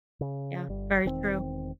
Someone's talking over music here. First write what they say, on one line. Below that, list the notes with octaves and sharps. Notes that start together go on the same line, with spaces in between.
Yeah, very true.
C#3
G1 G3
E1 D#3 C4